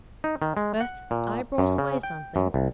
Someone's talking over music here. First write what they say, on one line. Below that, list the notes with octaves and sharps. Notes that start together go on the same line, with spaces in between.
But I brought away something.'
D#4
D#3
G#3
F#5
A#2
F#2
C#3
G5
F#2
C2